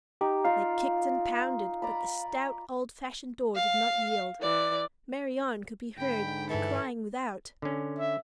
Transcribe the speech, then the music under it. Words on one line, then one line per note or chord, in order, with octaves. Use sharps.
They kicked and pounded, but the stout old-fashioned door did not yield. Marianne could be heard crying without.
D#4 G4
D#4 F4 D5 F5
D5 A#5 B5
F5
E3 D5
G#2 D3 G5 B5
G2 E3 D4 A4
D3 C#4
E5